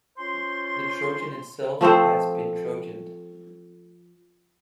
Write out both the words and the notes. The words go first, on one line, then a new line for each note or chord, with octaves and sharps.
The Trojan itself has been Trojaned.
C#4 F4 C5 C6
F3 A3 C4 C5